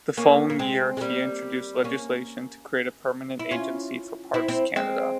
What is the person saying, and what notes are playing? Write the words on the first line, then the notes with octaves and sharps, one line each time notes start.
He following year, he introduced legislation to create a permanent agency for Parks Canada.
A#3 C#4
A#3
G#3 C4
G#3
G3 A#3
A#3 C#4
E4
C#4 F4
C4 E4
C4 E4
G#3 C4